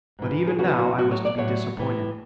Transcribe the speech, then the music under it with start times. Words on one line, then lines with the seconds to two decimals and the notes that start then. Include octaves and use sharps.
But even now I was to be disappointed.
0.19 G#2 E3
0.47 G#4
0.58 E2 C#3 E3 F#4
0.78 F#4
0.98 A2 F#3 F#4
1.11 C#5
1.25 D5
1.38 A2 F#3 C#5
1.77 A2 E3